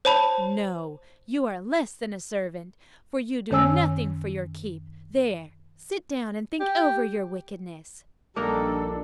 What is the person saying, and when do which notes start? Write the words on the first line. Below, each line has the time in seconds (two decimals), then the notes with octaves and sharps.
"No; you are less than a servant, for you do nothing for your keep. There, sit down, and think over your wickedness."
0.05 C5 C#5 A5 B5
3.50 F#2 D#3 C#4 C#5 G#5 E6
6.60 G4
8.36 A#1 G3 A#3 D4 D#4 A4 A#4